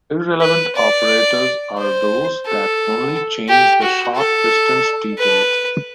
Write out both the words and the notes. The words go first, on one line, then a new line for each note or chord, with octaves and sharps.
Irrelevant operators are those that only change the short-distance details.
B4
D5
C5
A4
G4
F#4
A4
B4